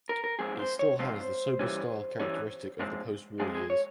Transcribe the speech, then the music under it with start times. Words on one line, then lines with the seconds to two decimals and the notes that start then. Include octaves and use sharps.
It still has the sober style characteristic of the post war years.
0.09 A#4
0.24 A#4
0.39 G#2 F3 C4 G#4
0.59 C5
0.79 C#5
0.99 G#2 F3 C4 C5
1.59 G2 E3 G3 C#4
2.20 G2 E3 G3 C#4
2.79 G#2 F3 G#3 C4
3.40 G#2 F3 G#3 C4 G#4
3.55 G#4
3.70 C#5